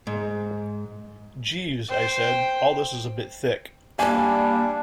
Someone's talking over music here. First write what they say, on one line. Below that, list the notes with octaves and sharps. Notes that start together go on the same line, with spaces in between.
"Jeeves," I said, "all this is a bit thick."
G#2
C5 G5
G3 A#3 D4 G#5